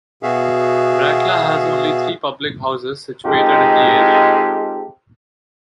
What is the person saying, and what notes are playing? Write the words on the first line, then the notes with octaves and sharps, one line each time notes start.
Brackla has only three Public Houses situated in the area.
B2 B3 F#4 G#4 E5 F5
G#3 C4 D#4 F4 G4 A4